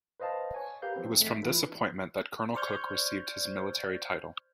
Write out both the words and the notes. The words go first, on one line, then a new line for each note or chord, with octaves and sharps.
It was from this appointment that Colonel Cook received his military title.
B4 C5 D#5 F5 A5
C#5 G#5
G4 A#4 B4 F5 G6
F3 C4
A1 G#3 A3 B6
E3 E4 F4 B4
C5 D5 C#6 F6 G6 G#6